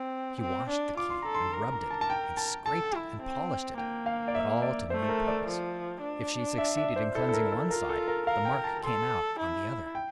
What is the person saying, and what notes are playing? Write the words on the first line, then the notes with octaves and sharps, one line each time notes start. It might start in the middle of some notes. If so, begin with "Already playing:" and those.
She washed the key and rubbed it, and scraped it and polished it, but all to no purpose, if she succeeded in cleansing one side, the mark came out on the other.
Already playing: C4
C4
D4
F4 D6
C6
A4 A#5
C6
A#4 A#5
A#5
A5
A5
G5
A5
A4 A5
E4
C4
A#3 G5
F5
D5
E5
E5
D5
A3 C5
A4
A#4
D5
F3
D4
E5
E5
C5
E4 A4
A4
A#4
A4
F4 A#4
A4
A#4
A#4 F5
G5
A5
A4 C6
E4
G5